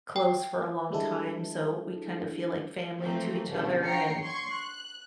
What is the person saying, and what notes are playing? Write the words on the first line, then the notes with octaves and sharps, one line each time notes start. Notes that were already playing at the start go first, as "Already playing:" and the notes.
close for a long time, so we kinda feel like family to each other, and,
G5
G3 G#3 D4 E4 A4
E3 F3 A3 A#3 C4
C#2 B2 D3 G3 A3
D3 C#5 G5 A#5 C7 C#7
C6 C#6 G#6
F#6